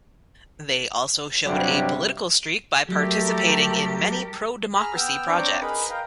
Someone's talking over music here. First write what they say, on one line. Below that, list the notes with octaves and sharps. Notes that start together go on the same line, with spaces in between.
They also showed a political streak by participating in many pro-democracy projects.
G2 C3 F#3 G3
F#3 G3 A3 G4 A4 A#4
G#4 A#5 B5 F6
B3 G5 E6 F6
C4 D4 C#5 G5 A#5 D6
D#4 G#4 A#4 B4 B5
A#4 D#5 F5 G5 A#5